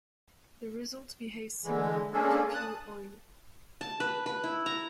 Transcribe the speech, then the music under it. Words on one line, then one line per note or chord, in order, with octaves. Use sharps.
The result behaves similarly to fuel oil.
D3 E3 G#3
G#3 A#3 C#4 D4 G#4 A4
A5 D#6 F#6
A5
B4
B4
E4
A#5